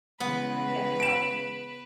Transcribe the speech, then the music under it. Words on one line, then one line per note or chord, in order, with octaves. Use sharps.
k how
C#3 E3 G#3 B3 B4
D7 E7